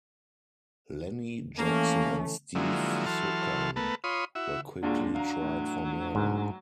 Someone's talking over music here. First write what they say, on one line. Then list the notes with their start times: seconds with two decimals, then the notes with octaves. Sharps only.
Lennie Jackson and Steve Suchan were quickly tried for murder.
1.58 E3 A3 A#3 C#4
2.55 D3 F3 F#3 G#3 A#3 E4
3.06 E3 F#3 A4 A5 C6 F6
3.76 A3 B3 A#4 B4 A5
4.04 F4 C#5 B5 C6 D#6
4.35 E4 F#4 E5
4.83 D#2 A#2 F#3 G#3 D4
5.15 F#3 F5 A#5
5.42 A2
6.15 G#2